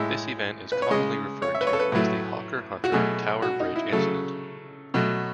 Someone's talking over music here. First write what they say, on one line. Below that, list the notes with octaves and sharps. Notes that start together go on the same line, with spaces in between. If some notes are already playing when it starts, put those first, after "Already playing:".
This event is commonly referred to as the Hawker Hunter Tower Bridge incident.
Already playing: A2 G#3 E5
B4
C#5
C#3 G#3 D#5
C#5
E5
B4
C#5
A4
B4
A2 F#3 A3
F#4
B2 F#3 A3 G#4
F#4
D#4
E4
C#3 F#3 A3 A4
B2 F#3 A3